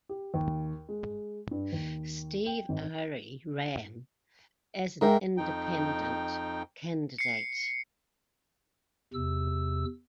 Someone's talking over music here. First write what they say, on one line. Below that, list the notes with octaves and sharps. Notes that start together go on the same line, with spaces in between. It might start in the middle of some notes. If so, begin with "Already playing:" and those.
Steve Ary ran as an independent candidate.
G4
D#2
G#3
G2
D#2
G5
G#1
G#2 A#4 E5 G5
F2 D#4 G5
C7 C#7
E2 C3 E6